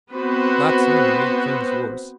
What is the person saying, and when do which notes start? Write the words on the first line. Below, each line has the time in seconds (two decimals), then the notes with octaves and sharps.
That's only made things worse.
0.11 B3 C4 F#4 B4 C5